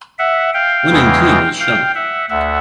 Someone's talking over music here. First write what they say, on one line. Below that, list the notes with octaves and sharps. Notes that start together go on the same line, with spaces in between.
Winning team is shown.
E5 F#5
F5 G5
E2 C#3 E3 G#3
F5 G5
E5 F#5
D2 E5 F#5